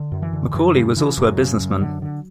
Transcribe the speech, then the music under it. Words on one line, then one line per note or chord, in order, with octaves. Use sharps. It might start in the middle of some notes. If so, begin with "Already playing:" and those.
MacAulay was also a businessman.
Already playing: D3
F#2
E3
D3
F#2 E3
C#3 G3
C#3 E3
F#2 F#3
C#3
F#2
D3
D3